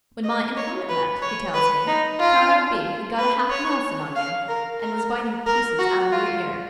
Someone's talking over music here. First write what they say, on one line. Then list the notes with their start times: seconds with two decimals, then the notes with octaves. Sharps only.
When my informant left, he tells me, Comrade B. had got a half-Nelson on you, and was biting pieces out of your ear.
0.23 D#5
0.57 C#5
0.89 B4
1.22 C#5
1.54 B4
1.87 D#4
2.20 F4
3.18 B4
3.50 C#5
4.15 F5
4.48 A#4
4.81 A#4
5.46 A#4
5.79 F#4
6.12 F4